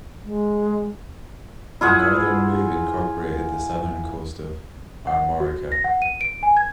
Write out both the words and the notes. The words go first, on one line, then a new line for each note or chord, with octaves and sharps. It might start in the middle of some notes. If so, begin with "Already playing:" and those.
A northern move incorporated the southern coast of Armorica.
G#3
E4 F4 G#4 F#5
F#5
F#4
A#6
F#5
D#7
D7
G#5
G#6